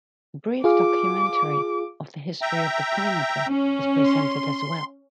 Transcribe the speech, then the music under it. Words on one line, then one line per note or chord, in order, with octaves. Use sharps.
A brief documentary of the history of the pineapple is presented as well.
F4 G#4 F5 D6
E5 G5 A#5
C#4
C6